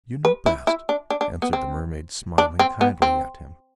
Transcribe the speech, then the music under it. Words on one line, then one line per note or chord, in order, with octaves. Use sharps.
"You know best," answered the Mermaid, smiling kindly at him.
B4
E4
E4
D4
D4
D4
B3
C4
D4
C4
B3
C4